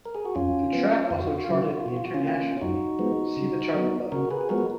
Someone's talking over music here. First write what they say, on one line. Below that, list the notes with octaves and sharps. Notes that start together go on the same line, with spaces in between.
The track also charted internationally - see the chart below.
A#4
G#4
F#4
F2 C#4 F4
F3 B3
F2 F4
F#4
F4
F#4
F4
C#3 F#3 F#4
F4
F#4
F4
B2 F#4
F4
F#4
C#4 F4
A#3
F#2 D#4 F#4
F3 G#3 B3
C#3
F#3 B3
C#3 F#4 A#4
G#4 B4
G#4
F3 G#3 B3 F#4 A#4